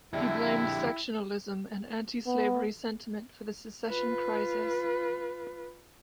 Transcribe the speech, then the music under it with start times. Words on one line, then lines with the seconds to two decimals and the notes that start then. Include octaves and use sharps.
He blamed sectionalism and anti-slavery sentiment for the secession crisis.
0.14 F2 D3 G3 G#3 E4 E5
2.27 B3
3.88 F4 B4